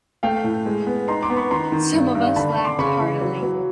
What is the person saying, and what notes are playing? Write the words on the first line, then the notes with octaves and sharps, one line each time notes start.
Some of us laughed heartily.
A3 F5 G5
A2
G#3
B3
D#4 A#5 C6
C6 D6
B3
B5 C#6
D#3 A#5 C6
D#3
G2
G2
D3 A5 B5
D3
C6 D6
C#3 B5 C#6
E3
F#3
F#3